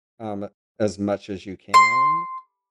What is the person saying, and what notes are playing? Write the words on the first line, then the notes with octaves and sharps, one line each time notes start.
um, as much as you can,
C6